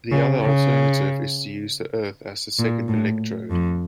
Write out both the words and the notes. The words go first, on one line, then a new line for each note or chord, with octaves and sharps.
The other alternative is to use the Earth as the second electrode.
C#3
C#3
A#2
A2
F2